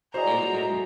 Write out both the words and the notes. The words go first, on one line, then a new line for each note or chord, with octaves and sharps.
in in
F#3 E4 F#4 G#4 C5 D5 D#5 A#5